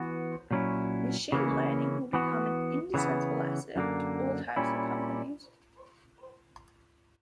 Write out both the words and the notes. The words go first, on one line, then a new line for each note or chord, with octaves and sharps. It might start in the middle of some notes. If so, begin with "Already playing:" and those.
Machine Learning will become an indispensable asset to all types of companies.
Already playing: E3 B3 F#4
A#2 F#3 C#4 E4
C#3 E3 A#3 C#4
E3 B3 F#4
C#3 E3 B3
F#2 D3 A#3
A#2 G3 C#4 E4